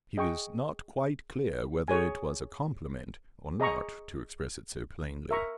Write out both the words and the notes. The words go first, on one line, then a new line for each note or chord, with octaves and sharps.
He was not quite clear whether it was a compliment or not, to express it so plainly.
G#4 D#5 G5 C#6
G#4 C#5 G#5
G#4 D#5 A#5 C#6
A#4 E5 A#5 C#6